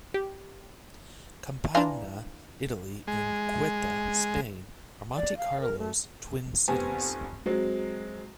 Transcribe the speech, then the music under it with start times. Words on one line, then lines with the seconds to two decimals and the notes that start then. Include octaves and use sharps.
Campagna, Italy and Ceuta, Spain are Monte Carlo's twin cities.
0.14 G4
1.75 E3 D4 F4 G#5 A#5
3.08 G#3
5.16 D5
5.37 F5
5.61 A#4
5.79 A3
6.68 F1 B3 C4 G4 G#5
7.46 F#3 G#3 C4